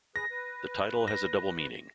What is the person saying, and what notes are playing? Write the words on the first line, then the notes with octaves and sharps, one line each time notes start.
The title has a double meaning.
G#4 B4 A#6
B4
A#6